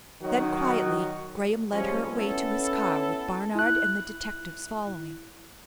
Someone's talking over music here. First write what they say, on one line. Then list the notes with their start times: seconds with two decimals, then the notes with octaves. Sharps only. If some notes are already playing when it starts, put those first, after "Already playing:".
Then, quietly, Graham led her away to his car with Barnard and the detectives following.
0.22 D#3 F#3 D#4 F#4
1.71 F3 G3 G#3 C#4
2.11 B3 C#4 E4 A4
3.55 E4 F#6